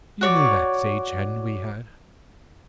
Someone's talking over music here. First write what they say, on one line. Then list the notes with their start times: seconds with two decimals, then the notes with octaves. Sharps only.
"You know that sage hen we had?"
0.21 F#4 C#5 D5 D6